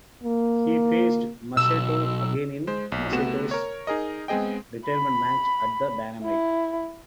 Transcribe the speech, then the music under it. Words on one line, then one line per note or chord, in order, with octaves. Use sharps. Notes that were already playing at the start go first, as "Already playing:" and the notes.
He faced Masato again in Masato's retirement match at the Dynamite!!
A#3
B1 E6
G#3 C5
B1
C3 A3 B3 F#4 E7
A#4 C#5
D#4 G#4 A#4 D#5
G#3 B3 C4 G#4 D#5 G5
B5
E4